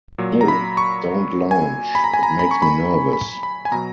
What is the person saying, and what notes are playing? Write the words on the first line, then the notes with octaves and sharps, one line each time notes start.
No, don't lounge, it makes me nervous.
A#2 F#3
A#5
B5
C#6
G#5
B5
A#5
G#5
A#5
B5
C#6
B5
B5
B5
G#5
B2 F#3 A#5